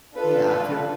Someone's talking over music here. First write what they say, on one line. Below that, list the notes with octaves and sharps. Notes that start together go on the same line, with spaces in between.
Yeah, if you're
D4 F4 A4 B4
B4